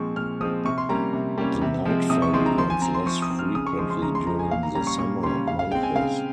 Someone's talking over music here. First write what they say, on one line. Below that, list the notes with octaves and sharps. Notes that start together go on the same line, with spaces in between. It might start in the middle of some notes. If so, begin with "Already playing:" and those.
The night ferry runs less frequently during the summer months.
Already playing: A#2 F3 G#3 C4 C#6
A#2 F6
F3 G#3 C4 D#6
C3 C#6
C6
G3 A#3 C#4 A#5
C3
G3 A#3 C#4
C3
F3 G#3 C4
C3 D#6
C#6
F3 G#3 C4 C6
A#5
F3 C6
G#5
C4 A#5
C6
F3 C#6
D#6
C4
F6
C#3 D#6
C#6
F3 G#3 C6
C6
C#3 A#5
C6
F3 G#3 A#5
G#5
A#2 F5
A#5
G3 C#4 A#5
C#6
A#2 C#6
G3 C#4 C6
C#3 F5
F5
G#3 C4 G5
G#5
C#3 F5